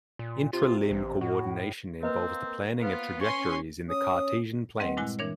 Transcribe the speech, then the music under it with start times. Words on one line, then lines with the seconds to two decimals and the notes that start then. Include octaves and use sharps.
Intra-limb coordination involves the planning of trajectories in the Cartesian planes.
0.19 A#2
0.53 C3 F4
0.91 A1
1.21 A2 F#4
2.03 A#3 C4 A#4 B4 D#5
2.81 B3 F4 B4 C5 F5
3.21 C#4 G#5 C6 C#6
3.89 C#4 D#6
4.80 G3 C4 B4 D#5 F#5
4.97 G2 A#2 G#3 E4 G#5 F#6
5.19 E3 D4 A#4 C#5